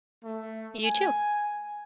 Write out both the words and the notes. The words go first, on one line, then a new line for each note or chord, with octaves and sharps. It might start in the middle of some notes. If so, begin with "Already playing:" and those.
You too.
A3
G#5